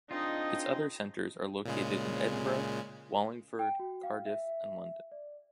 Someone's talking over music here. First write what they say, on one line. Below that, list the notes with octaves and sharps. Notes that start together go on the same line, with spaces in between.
Its other centres are located in Edinburgh, Wallingford, Cardiff and London.
C4 D4 D#4 F4 G#4 D#5
A#2 C#3 G#3
G5
F#4
F5
E5
D5